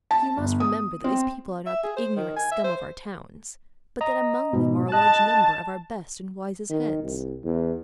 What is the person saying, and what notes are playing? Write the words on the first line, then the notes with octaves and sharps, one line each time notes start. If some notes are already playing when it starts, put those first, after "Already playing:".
You must remember that these people are not the ignorant scum of our towns, but that among them are a large number of our best and wisest heads.
A5
G1
D#6
C4
E5
G#4
C5
D#3
G#5
E5
C5
D#5 A#5
G#2 B2
D#5 A5 F#6
D#3
C2
E2